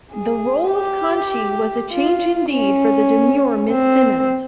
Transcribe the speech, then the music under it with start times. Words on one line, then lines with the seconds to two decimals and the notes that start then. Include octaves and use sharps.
The role of Kanchi was a change indeed for 'the demure Miss Simmons.
0.13 G#4
0.72 G4
1.91 F4
2.51 C#4
3.70 C4